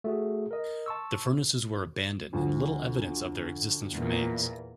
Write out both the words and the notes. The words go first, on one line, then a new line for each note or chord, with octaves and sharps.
The furnaces were abandoned and little evidence of their existence remains.
A3 F#4 G#4
A#4 D#5
A5 C6 C#6 E6
D2 F3
E2 A#2